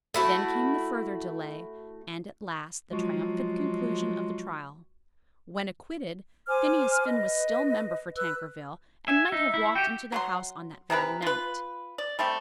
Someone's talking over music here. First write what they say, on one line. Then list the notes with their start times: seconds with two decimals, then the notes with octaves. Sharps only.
Then came the further delay, and at last the triumphant conclusion of the trial. When acquitted, Phineas Finn was still member for Tankerville and might have walked into the House on that very night.
0.14 A3 E4 F#4
2.92 F3 F#3 G#3 F4 F#4
6.47 C5 G#5 D6 F6
7.06 B4 D#5
8.16 B4 E6 F#6
9.08 E5 G#5
9.32 D#4 E5
9.54 E4
9.75 F#4 G4 G5
10.12 F#3 F#5 C6
10.90 C3 E3 A#4 B4
11.22 F4 B4
11.98 D5
12.19 G3 A3 C4 G4